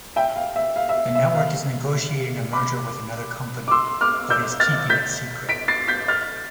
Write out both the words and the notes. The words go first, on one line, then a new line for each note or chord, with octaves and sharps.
The network is negotiating a merger with another company, but is keeping it secret.
E5 G5
F5
E5
F5
E5
E5
F5
B5 D6
D6
C6 E6
D6 F6
E6 G6
F6 A6
G6 B6
B6 D7
A6 C7
G6 B6
F6 A6